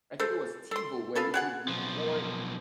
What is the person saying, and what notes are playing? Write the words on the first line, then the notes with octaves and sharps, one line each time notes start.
I think it was TiVo where you could record
A4 C5
A4 C6
G#4 A4 B4 F5
F#4 G#4 F#5
B1 F3